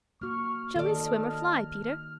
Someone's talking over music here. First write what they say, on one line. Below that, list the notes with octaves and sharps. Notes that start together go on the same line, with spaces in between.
"Shall we swim or fly, Peter?"
A#3 F#4 C#6 F6
D#3 A4 D5 D#5 A5